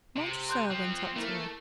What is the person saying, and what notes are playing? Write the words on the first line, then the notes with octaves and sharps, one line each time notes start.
Montresor went up to her.
C3
C6 F#6 G6
F3 C4
A3 A#3 E4 A#4